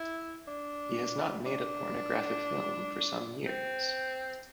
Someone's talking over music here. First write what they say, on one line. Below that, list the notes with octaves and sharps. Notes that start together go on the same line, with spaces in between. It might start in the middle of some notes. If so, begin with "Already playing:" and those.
He has not made a pornographic film for some years.
Already playing: E4
D4
D4
C4